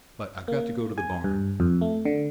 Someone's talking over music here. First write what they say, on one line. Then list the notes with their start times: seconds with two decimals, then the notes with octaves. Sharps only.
But I've got to go to the barn.
0.48 A#3
0.98 G#5
1.24 G2
1.60 F2
1.81 A3
2.05 D3